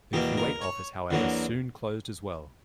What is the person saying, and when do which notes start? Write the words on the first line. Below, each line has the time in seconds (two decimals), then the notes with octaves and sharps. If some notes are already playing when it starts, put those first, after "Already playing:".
The Kuwait office however soon closed as well.
0.13 E2 B2 A#3 G4
0.37 A#4
0.61 C#5
1.10 E2 D3 F#3 A#3